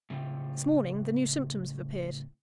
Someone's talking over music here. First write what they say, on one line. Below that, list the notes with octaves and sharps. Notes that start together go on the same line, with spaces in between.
"This morning the new symptoms have appeared."
A2 C#3 C4 F4 G5